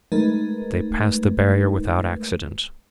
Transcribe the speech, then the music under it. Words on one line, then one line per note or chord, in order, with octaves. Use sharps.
They passed the barrier without accident.
G#3 A3 D#4 A#4 B4